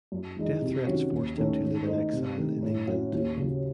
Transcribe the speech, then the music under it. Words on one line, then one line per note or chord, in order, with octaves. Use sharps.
Death threats forced him to live in exile in England.
F#2
E3 G#3 D#4
C3
D#3 F#3 C#4 F#4
D#2
D#3 A3 C#4
D#3
A3 D#4 A4 C5
C3
D#3 A3
A2
F#3 C#4 F#4
D#2
C#3 F#3